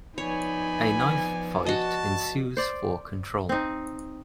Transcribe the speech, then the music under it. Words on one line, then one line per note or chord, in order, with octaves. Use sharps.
A knife fight ensues for control.
F3 B3 D#4 C#5 D5 G#5 B5
F#4 D#5 A5
C5 D5
C4 D#4